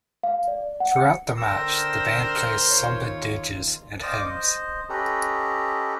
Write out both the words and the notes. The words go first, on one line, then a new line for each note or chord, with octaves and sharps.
Throughout the march, the band plays somber dirges and hymns.
F5
D5
F#5
C#7
D3 A#4 C5 G5 E6 A#6
D#2 F4 C#5
C5 D5 D#5 F5 D6 D#6
C5 D#5
C#4 G4 A4 B4 D#5 A#5